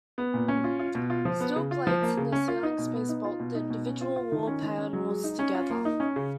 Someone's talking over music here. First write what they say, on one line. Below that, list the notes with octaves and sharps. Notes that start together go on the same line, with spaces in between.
Steel plates in the ceiling space bolt the individual wall panels together.
B3
A#2
C#4
F4
F4
B2
F4
F3
B3
C#3
F4
F3
A#3
C#3
C#4
F4
D#4
B2
B3
D#4
F4
B2
D#4
B2
C#4
F4
F4
D#3
C#4
D#3
C#4
F#3
G#3
D#4
C#4
F4
A#3
D#4
C#4
C#3